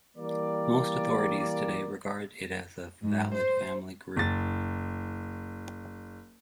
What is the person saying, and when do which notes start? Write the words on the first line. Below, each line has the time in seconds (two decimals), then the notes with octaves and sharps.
Most authorities today regard it as a valid family group.
0.18 E3 G3 A#3 A#4 D5
3.02 G#2
3.34 C5
4.16 F#1 A6